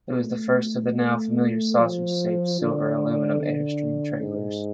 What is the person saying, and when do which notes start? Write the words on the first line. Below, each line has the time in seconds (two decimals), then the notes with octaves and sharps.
It was the first of the now familiar sausage-shaped, silver aluminum Airstream trailers.
0.19 A3
1.00 A3
1.79 F3
2.61 D3
3.42 D3
4.21 G#2